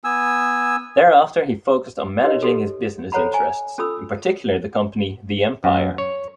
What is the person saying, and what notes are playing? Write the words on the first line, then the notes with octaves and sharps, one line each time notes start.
Thereafter he focused on managing his business interests, in particular the company "The Empire".
B3 G#5 E6
D#4 G4 A#4 B4 C#5 D#5
G4 A4
A4 C5 C#5 F#5 A#5 B5
G#5 A#5
C#4 F4 A4 B5 D#6 E6
F#2
C#5